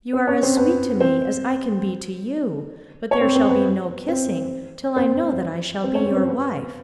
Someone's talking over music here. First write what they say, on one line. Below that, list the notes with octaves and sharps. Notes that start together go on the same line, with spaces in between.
You are as sweet to me as I can be to you, but there shall be no kissing till I know that I shall be your wife.
C4 C5
C#4 C#5
C4 C5
B3 B4
C4 C5
C#5
C4 C5
C4 C5
B3 B4
C4 C5
C4 C5
C4 C5
C#4 C#5
C4 C5
C4 C5
B3 B4